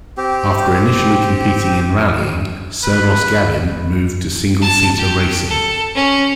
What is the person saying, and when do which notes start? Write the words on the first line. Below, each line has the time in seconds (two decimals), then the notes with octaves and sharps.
After initially competing in rallying, Servoz-Gavin moved to single-seater racing.
0.17 C4 G4
2.83 B4
4.61 A5
4.98 G4
5.49 A4
5.95 C#4